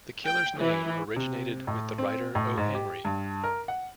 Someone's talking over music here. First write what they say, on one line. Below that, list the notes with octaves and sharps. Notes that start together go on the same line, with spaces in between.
The killer's name originated with the writer O. Henry.
G5
E3
C3
A2
C4
A2
G#2
G4
G2
A#4
F#5